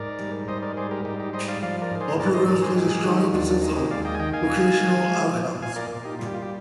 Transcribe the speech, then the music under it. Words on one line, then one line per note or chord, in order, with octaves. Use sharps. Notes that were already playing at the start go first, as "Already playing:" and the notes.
All programs place a strong emphasis on vocational outcomes.
Already playing: G#2 A#4 D5
G3
G#2 C5 D#5
A#4 D5
G3 G#4 C5
G4 A#4
G#2 D#4 G4
D#4 G4
G3 C5 D#5
D5 F5
F3 D5 F5
A#4 D5
G#2
G#4 C5
G#2 A#4 D5
C5 D#5
G#2 A#4 D5
G#4 C5
G#3 G4
G#4
D#3 D#4 G4
D#2 D4 F4
D4
G#3 D#4
D#4 G4
D#2 D5 F5
D#5 G5
G#5
D#3 D#5 G5
F5 G#5
D#3
G#3
F3
A#2
A#2 F5 G#5
A#4 D5
A#2
D#4 G4
G3 F4
G4
F4
G4